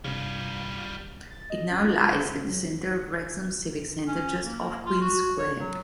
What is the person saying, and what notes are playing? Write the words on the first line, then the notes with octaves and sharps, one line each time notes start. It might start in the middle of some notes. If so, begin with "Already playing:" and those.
It now lies at the centre of Wrexham's civic centre just off Queens Square.
C2 G2 C3 G3 F4
A6
D#5
C#4
F4
C#4
F#3
C#4
A#3
F4
F#4
C#5
F#3